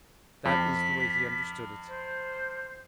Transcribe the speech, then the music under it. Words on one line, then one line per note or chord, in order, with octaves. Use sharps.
That is the way he understood it.
F2 B6
C5